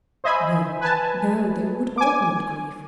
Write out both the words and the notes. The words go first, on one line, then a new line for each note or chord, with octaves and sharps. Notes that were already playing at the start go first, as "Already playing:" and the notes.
No, no, they would augment grief.
C5 D#5 E5 G#5 B5
B4 G#5 A5
G#5 D6